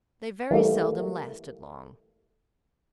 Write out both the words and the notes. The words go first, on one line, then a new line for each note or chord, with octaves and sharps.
They very seldom lasted long.
E3 G3 A3 A#3